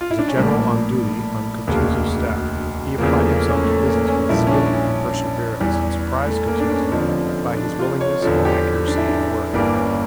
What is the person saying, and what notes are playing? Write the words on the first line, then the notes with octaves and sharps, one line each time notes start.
As a general on duty on Kutuzov's staff, he applied himself to business with zeal and perseverance and surprised Kutuzov by his willingness and accuracy in work.
F4
E4
D4
C#4
A#1 A2 G3 A#3
E1 D2 C#3 A#3
E2 C#3 F3 A#3
A3
A#3
C#4
A3
A#3
C#4
A#1 A#2 G3 E4
C#4
D4
C#4
E2 E3 G3
A3
A#3
D4
C#4
F1 F2 D3 F3
D4
F4
C#5
E2 D3 F3 A4
G4
D4
E4
D4
G1 G2 E3 G3 A#3
C#4